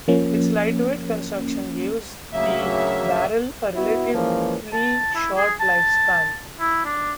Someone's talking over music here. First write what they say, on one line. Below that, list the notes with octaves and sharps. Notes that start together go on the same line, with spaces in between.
Its lightweight construction gives the barrel a relatively short lifespan.
F3 A#3 C#4
D2 C#3 F#3 A#3 E5
B3 E4 F#4
E3 F3 G#3 A#3 C#4
A5
E4
G#4
A5
E4
D4